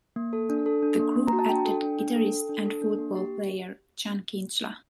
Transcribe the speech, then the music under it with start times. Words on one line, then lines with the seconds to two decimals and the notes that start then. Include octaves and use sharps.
The group added guitarist and football player Chan Kinchla.
0.16 A#3
0.33 A4
0.50 D4
0.66 A4
0.83 D4
1.00 A#3
1.16 A#3
1.27 A#5
1.33 F#4
1.39 A5
1.49 D4 G5
1.65 A4
1.83 D4
1.99 D4
2.16 A4
2.32 A4
2.49 D4
2.66 A4
2.82 D4
2.99 A#3
3.15 G4